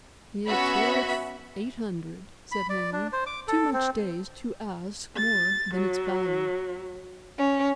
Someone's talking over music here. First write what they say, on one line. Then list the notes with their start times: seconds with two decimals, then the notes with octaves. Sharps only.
"It's worth eight hundred," said Henry, too much dazed to ask more than its value.
0.45 B3 C#4 F#4 E5 B5
2.52 B5
2.70 D5
2.93 D4
3.13 C5
3.26 D6
3.48 A4
3.73 C4
5.17 A6
5.74 F#3
7.37 C#4